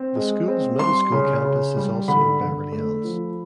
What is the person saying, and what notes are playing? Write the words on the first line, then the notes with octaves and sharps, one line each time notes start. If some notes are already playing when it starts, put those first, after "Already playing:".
The school's middle school campus is also in Beverly Hills.
Already playing: C4
G#3
C4
G3 C6
C#3
C#3
G3
D3 B5
D3
A3
F3